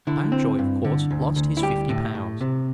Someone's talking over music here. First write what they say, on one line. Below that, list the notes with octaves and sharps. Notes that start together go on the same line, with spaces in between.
Mountjoy of course lost his fifty pounds.
D3 E4
C4
G2
D3
D2
D2
E4
G3 G4
A2
A2
C3